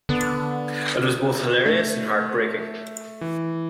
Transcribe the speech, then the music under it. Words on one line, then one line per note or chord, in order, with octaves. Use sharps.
It was both hilarious and heartbreaking.
D3 B3
A3
E3